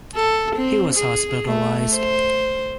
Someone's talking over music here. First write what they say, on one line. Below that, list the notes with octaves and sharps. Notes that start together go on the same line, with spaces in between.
He was hospitalized.
A4
C4
G#4
A3
C5